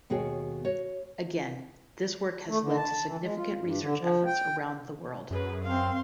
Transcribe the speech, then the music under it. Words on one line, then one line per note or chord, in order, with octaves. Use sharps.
Again, this work has led to significant research efforts around the world.
D#2 B2 F#4 G#4 C#5 G5
F#4 C#5
A3
D3
A5
E3
G#3
F4
G2
D3
F3
G5
F#2 G#4 B4
C4 F5 C6